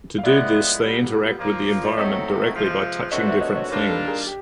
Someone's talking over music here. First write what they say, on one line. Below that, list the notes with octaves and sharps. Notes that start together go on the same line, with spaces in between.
To do this, they interact with the environment directly by touching different things.
F5
A2 F3 G#3 B3 E4 D5 E5
A#2 G3 B3
A#2 F3 A#3
D5
A2 F#3 A3 C4 D#4 C#5 D#5
C3 F3 G#3
C3 E3 A3 D4 F#4 C#5 D#5
D5 E5
C#5 D#5
C#5 D#5
D#3 G3 A#3 D4 F4 B4 C#5
A4 B4
G#4 A#4
G4